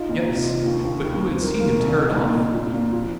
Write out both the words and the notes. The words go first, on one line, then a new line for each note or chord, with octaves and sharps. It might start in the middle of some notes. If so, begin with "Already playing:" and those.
Yes! but who had seen him tear it off?
Already playing: D#4 F4
A#2
C3
F4
D#2
D#2
D#2
C4
A#4
A#3
C2
D#4
A#2
A#2
A#2
A#2
F3